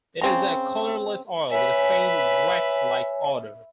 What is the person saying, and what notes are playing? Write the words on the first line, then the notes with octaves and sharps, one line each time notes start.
It is a colorless oil with a faint wax-like odor.
C#3 C4 A#5
B4 C#5 E5 G#5